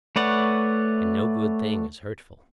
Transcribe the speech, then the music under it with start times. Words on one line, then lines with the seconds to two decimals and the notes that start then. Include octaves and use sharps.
And no good thing is hurtful?
0.16 A3 B4 C#5 D5 F#5